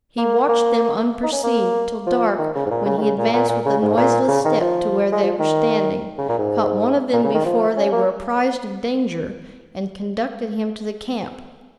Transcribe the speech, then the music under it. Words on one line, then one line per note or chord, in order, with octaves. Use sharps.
He watched them unperceived, till dark when he advanced with a noiseless step to where they were standing, caught one of them before they were apprized of danger, and conducted him to the camp.
A#3
A#3
D#4
C#4
A#3
F3
D#3
C#3
G#2
A#2
C#3
D#3
C#3
A#2
A#2
A#2
C#3
G#2
A#2
C#3
D#3
F3
G#3
F3
D#3
C#3
A#2
G#2
A#2
C#3
D#3
F3
C#4
A#3